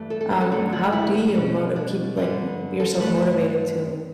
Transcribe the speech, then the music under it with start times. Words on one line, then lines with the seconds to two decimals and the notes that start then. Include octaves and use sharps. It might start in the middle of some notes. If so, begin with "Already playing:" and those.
um, how do you moti keep, like, m yourself motivated to
Already playing: G2 E3 A3
0.10 A4
0.21 A4
0.31 G4
0.41 A4
0.52 G2 D3 F#3 A3
0.73 F#4
0.92 E4
1.14 B3
1.34 B2 G3 C#4
1.55 C#4
1.76 D4
2.17 G2 D3 G3
2.80 A4
3.00 G2 D3 A3 B4